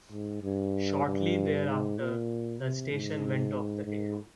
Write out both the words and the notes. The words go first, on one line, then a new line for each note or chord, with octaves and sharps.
Shortly thereafter, the station went off the air.
G#2
G2
G2
G#2
A#2
C3
G#2
G#2